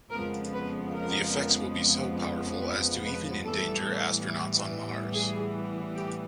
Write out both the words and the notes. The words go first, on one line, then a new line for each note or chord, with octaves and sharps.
The effects will be so powerful as to even endanger astronauts on Mars.
F2 C#3 F3 G#3 B3 A#4
B4
A#4
B4
B4
A2 E3 G3 B3 A4
G#4
G4